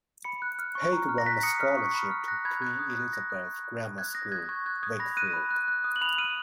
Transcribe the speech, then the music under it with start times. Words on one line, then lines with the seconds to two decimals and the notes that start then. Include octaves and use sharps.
Haigh won a scholarship to Queen Elizabeth Grammar School, Wakefield.
0.24 B5 C#7
0.42 F#6
0.59 F6
0.75 C#6
0.93 A#5
1.09 F6
1.18 A#6
1.26 F#6 B6
1.43 D#6 C#7
1.60 F6
1.77 C#6
1.94 B5
2.11 F6
2.28 F#6 A#6
2.45 B5 G#6
2.62 F#6 G#6
2.79 D#6
2.96 F#6
3.13 D#6 A#6
3.30 F#6
3.47 C#6
3.64 F#6
3.80 D#6
3.98 F#6 G#6
4.15 D#6 A#6
4.32 F#6 G#6
4.49 C#6 G#6
4.66 F#6 G#6
4.83 D#6 G#6
4.99 B5 A#6
5.17 F#6 D#7
5.34 B5
5.51 F#6
5.68 F#6
5.84 D#6
5.96 F#7
6.01 B5 F7
6.18 F6 D#7